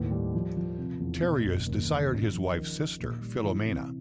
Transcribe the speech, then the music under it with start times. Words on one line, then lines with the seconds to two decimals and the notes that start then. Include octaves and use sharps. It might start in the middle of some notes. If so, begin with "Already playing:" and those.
Tereus desired his wife's sister, Philomela.
Already playing: D#2 A2 B3
0.11 G3
0.34 F3
0.57 F3
0.78 C3
1.00 E2
1.22 B2
1.44 F#1
1.67 D#2
1.88 D#3
2.11 C#3
2.33 F3
2.54 D#3
2.77 D#3
2.99 A#2
3.21 G3
3.42 E3
3.65 C3